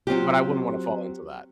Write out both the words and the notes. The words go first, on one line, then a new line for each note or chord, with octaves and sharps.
But I wouldn't wanna fall into that.
F#3 C4 F4 G4